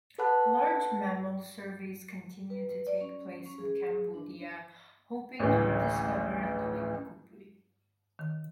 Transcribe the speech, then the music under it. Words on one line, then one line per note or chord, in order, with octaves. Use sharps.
Large mammal surveys continue to take place in Cambodia, hoping to rediscover living kouprey.
A4 B4 F#5 A5 B5 F#6
B4
B4
D5
C#4
C#4
G#4
D4
A1 D2 C#3 E3
D#3